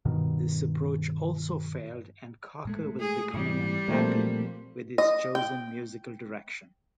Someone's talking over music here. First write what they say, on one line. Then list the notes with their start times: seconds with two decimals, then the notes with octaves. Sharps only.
This approach also failed and Cocker was becoming unhappy with his chosen musical direction.
0.05 G2 B2 D#3
2.65 A2 G#3 A3
3.00 G#4
3.34 G#2 E3 G3 C4
3.88 A#2 F3 F#3 A3 A#3 C4 C5
4.98 D#5
5.35 G5